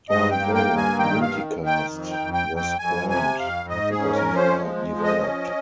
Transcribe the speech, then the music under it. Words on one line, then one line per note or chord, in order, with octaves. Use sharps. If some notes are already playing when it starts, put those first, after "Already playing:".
Although multicast was planned, it was never developed.
G2 D#5
G5
A#3
G5
G2
G#5
D#3 G5
F5
D#3
D#3
G5
F2
G5
F2
G5
F2
G5
F2 G#5
C3 G#5
F2 F5
G#2 D#5
G#4
C#4
A#4
F3
C5
G#3
F3
D#5
C#4